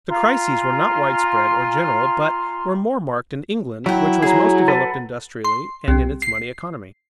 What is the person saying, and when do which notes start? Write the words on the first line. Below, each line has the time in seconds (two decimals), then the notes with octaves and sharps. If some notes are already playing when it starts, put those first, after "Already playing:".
The crises were not widespread or general, but were more marked in England, which was most developed industrially and in its money economy.
0.09 F4 G#5 A#5 C6
3.86 F#3 E4 F#5 G5
4.22 F#3 G#4 F#5 A#5
4.68 A4 B4
5.44 C6
5.88 C2
6.22 C7